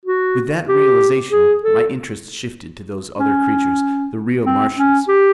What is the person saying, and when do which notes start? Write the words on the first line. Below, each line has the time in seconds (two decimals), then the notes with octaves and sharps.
With that realisation my interest shifted to those other creatures, the real Martians.
0.05 F#4
0.68 G4
1.31 G#4
1.63 A4
3.20 C#4
4.46 C4
4.78 C#4
5.08 G4